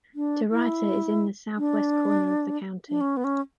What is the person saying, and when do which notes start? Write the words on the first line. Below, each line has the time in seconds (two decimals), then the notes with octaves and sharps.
DeRuyter is in the southwest corner of the county.
0.15 D4
0.51 E4
1.58 D4
2.89 D4
3.01 C#4
3.17 B3
3.24 C#4